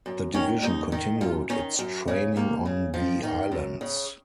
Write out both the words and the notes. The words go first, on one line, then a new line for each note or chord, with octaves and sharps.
The division continued its training on the islands.
F#2
D#3 C#4
D#2 D#4
D#3
F#2 F4
D#3 C#4
F#2
C#3
D#2 A#3
C#3
F2 F3
D#3
F#2
C#3